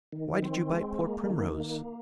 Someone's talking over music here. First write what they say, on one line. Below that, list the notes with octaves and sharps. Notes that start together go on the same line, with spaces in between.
"Why did you bite poor Primrose?"
D#3
C4
G#3
A#3
D#3
A#3